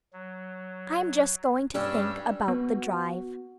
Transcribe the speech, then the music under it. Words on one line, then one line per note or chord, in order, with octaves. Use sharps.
I'm just going to think about the drive.
F#3
G2 G3 C#4 D4 G4 E6
B3 F#4